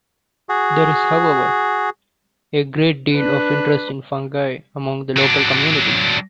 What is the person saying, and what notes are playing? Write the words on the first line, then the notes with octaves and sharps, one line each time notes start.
There is however, a great deal of interest in fungi among the local community.
F#4 G#4
D4 B4
F#3 D4